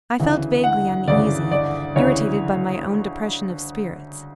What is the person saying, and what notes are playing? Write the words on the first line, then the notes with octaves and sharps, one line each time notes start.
I felt vaguely uneasy; irritated by my own depression of spirits.
D2 C#3 E3
F#5
D2 C#3 E3 D5
D5
D2 C#3 E3 C#5